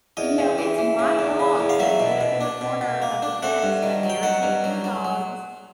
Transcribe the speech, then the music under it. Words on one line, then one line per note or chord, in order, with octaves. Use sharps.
you know, it's my dogs that get up in the corner of the fence that irritate your dogs,"
E2 D#5
C#3
E3
E3
C#3
E2
C#3
E2
F5
F#3 E5
B2
B2
D4
B2
B2
A#3
D4
A3 F#5
G2
D#3
F#3
G5
D#3 F#5
G2
F#3
F#3
F#3